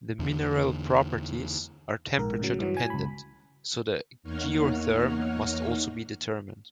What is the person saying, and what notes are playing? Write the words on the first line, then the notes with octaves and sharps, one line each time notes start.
The mineral properties are temperature-dependent, so the geotherm must also be determined.
E2 D3
A#1 G#2 A#4
A2 C#3 F#3
G2 E3 F#3
G#5
C#2 B5
E2 A#3 D#4 C#5 F#5 F6